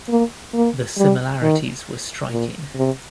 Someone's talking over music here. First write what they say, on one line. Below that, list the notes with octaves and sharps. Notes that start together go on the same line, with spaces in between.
The similarities were striking.
A#3
A#3
G3
D#3
A#2
C3